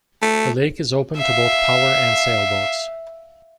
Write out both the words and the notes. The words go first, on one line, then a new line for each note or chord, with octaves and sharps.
The lake is open to both power and sail boats.
A3
E5 F5